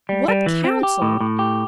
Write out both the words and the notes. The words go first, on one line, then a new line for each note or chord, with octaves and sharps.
"What council?"
G3
G3
E3
C4
G4
A2
A2
G4